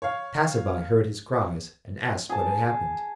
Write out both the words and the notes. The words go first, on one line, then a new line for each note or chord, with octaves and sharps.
A passerby heard his cries and asked what had happened.
C#5 F5
G#4 A5